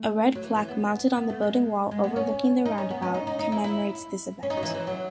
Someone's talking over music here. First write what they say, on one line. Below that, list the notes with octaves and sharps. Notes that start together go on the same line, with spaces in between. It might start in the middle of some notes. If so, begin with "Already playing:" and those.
A red plaque mounted on a building wall overlooking the roundabout, commemorates this event.
Already playing: A3
F#3
E3
E3
B3
B3
A3
G#3
G#3
B3
C#4
D#4
C#4
B3
C#4
D#4
D#4
D#4
E4
E4
C#4
D#4
F#3
E3
E3
F#3